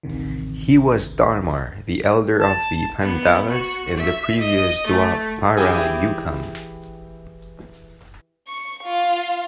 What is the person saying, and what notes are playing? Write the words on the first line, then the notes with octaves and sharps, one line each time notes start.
He was Dharmar, the elder of the Pandavas in the previous Dwapara Yukam.
A1 D2 C3 D#3
A5
B3
F#4
E5
D#5
A3
E3 E4 G4 G#4
C#6
F4